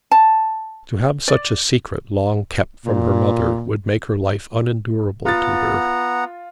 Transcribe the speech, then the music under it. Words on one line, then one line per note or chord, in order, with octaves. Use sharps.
To have such a secret long kept from her mother would make her life unendurable to her.
A5
D5
A#2
B3 F4 F#5 A#5 A6